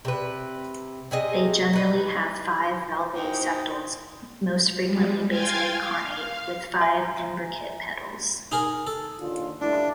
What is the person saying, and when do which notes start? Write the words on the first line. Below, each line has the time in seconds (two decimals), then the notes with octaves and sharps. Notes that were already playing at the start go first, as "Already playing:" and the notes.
They generally have five valvate sepals, most frequently basally connate, with five imbricate petals.
0.05 C3 B4
1.11 C3 G#4 D#5
1.73 D#4 B4
3.15 F#2 D#4 C5 G5
4.80 G3 G#3
5.27 F5 G5 G#5 C6 G#6 A6
5.66 F5
6.81 E5 G#5 A#5
8.52 D#4 G#4 A#4
8.87 A4
9.19 D#2 D3 F4
9.61 G2 A3 D4 E4